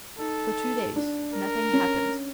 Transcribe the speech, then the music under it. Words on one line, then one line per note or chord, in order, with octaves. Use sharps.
For two days nothing happened.
D#4 A4
D4
A#4
C#4